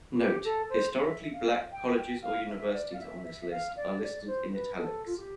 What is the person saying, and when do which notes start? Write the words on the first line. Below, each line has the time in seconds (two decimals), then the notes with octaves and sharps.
Note: "Historically black colleges or universities on this list are listed in italics".
0.18 G4
0.44 A4
0.70 C5
0.95 E5
1.33 F5
1.72 G5
1.97 G5
2.22 F5
2.49 E5
2.73 D5
2.93 F5
2.99 E5
3.24 E5
3.51 F5
3.76 D5
4.02 D5
4.27 C5
4.53 B4
4.78 A4
5.06 F4
5.17 G4